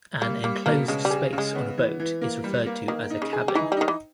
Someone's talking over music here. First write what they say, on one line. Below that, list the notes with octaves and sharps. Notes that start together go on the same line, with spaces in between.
An enclosed space on a boat is referred to as a cabin.
G3 A#3
G3 A#3
B2 A#3
C#3 G#3
G3
G#4
C#3
G#3
B3
E3
E3
A#3
G3
A#3
D#3 A#3
D#4
C#3
G#4
G3
E3 D#4
G3
D#3 D#4
E3